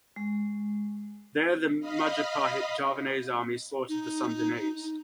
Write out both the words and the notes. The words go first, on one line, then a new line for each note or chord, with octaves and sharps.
There the Majapahit-Javanese army slaughtered the Sundanese.
G#3
D#5 F5 B5
D#4